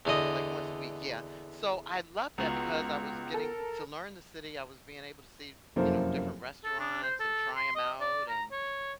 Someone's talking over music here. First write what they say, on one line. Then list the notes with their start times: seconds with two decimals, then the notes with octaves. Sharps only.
L like once a week, yeah. So I love that because I was getting m to learn the city, I was being able to see, you know, different restaurants and try 'em out and
0.05 E2 D3 D#5
2.38 C#2 B3 F4 F#4 A#5
3.34 A4 A#4
5.76 F1 F#2 A#3 E4 A4 C5
6.64 A4
6.80 D4
7.03 C5
7.20 A4
7.56 C6
7.75 D#5
8.01 D5
8.29 A#5
8.52 C#5